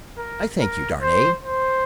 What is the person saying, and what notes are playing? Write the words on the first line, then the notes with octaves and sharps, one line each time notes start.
I thank you, Darnay.
A#4
A#4
C5
C5